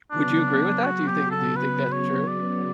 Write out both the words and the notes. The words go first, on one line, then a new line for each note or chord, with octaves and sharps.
Would you agree with that? Do you think do you think that's true?
C#3 F#3 B3 D4
F#4
G4
A4
B4
C#5
D5